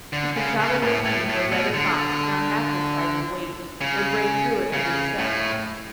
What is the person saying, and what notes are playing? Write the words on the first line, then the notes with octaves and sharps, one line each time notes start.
He can travel with ease where Reddy Fox, not half his size and weight, would break through at every step.
D3
C#3
C#3
A2
A2
A2
B2
D3
C#3
C#3
A2